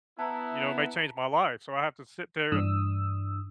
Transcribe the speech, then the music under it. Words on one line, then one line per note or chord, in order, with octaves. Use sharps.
you know, may change my life, so I have to sit there and
B3 E4 A5 A#5
G2 E3 D4 D#6 E6